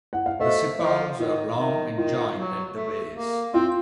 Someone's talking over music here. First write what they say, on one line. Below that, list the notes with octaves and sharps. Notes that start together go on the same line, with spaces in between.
The sepals are long and joined at the base.
F#5
F5
A3 C5 D#5
F3 C5 D#5
D#3 F4
D#3
D#3 F4
F#3
A3
A#3
C4 F4